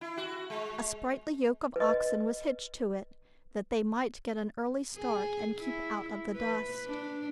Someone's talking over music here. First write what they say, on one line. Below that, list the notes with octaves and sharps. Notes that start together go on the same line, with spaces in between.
A sprightly yoke of oxen was hitched to it that they might get an early start and keep out of the dust.
E4
F#4
G#3
B4 D#5
G#4
E4
B4
D4